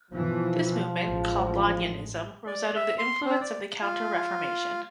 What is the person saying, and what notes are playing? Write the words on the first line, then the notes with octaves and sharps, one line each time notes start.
This movement, called Laudianism, rose out of the influence of the Counter-Reformation.
B2 E3 F3
A1 G#3
D5
E5
C6
C4
D5
F4